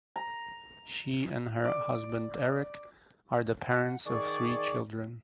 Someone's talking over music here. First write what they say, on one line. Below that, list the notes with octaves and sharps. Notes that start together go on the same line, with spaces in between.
She and her husband Eric are the parents of three children.
A#5
D5
F#5
D#3 G#4 D5 C#6